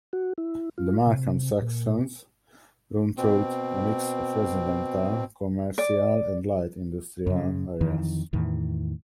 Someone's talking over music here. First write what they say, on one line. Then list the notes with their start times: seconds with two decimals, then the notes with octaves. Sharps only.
The Markham sections run through a mix of residential, commercial and light industrial areas.
0.13 F#4
0.38 E4
0.78 F4
1.07 C3
1.62 A#2
3.18 B2 C4
5.78 D5
7.27 F#2 C#3
7.81 F2 D#3 E3
8.33 E2 A2 D#3 E3